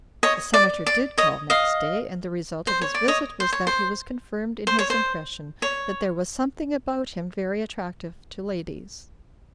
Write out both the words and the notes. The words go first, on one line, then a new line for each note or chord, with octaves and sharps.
The Senator did call next day, and the result of his visit was that he was confirmed in his impression that there was something about him very attractive to ladies.
C#5 D#5
D5
D5
C#5 D#5
D#5 F5
C5
C#5
D5
C#5 D#5
C5
C#5
C5
C5
C#5
C5
C#5